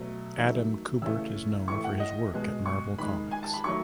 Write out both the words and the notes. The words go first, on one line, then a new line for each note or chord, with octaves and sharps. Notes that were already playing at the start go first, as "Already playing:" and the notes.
Adam Kubert is known for his work at Marvel Comics.
Already playing: B2 F#3 A3
D#3 F#3 A3
C#3 E3 A3 E6
A2 E3 A3 C#6
F#5
D#5
B2 G#3
C#6
D#3 G#3 B5
G#5
A5
B5
D#3 F#3 A3 C#6